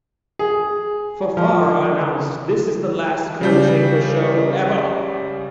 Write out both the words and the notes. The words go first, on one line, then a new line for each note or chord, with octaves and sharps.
Fafara announced This is the last Coal Chamber show ever!
G#4
F3
C#3 G3 G6